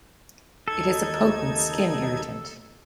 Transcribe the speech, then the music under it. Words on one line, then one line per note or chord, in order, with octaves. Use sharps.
It is a potent skin irritant.
D#2 D#4 A4 G#6